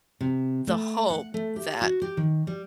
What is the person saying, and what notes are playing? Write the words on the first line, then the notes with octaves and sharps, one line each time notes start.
the hope that
C3
A3
F#5
A3
G4
F#4
G4
D#3
G3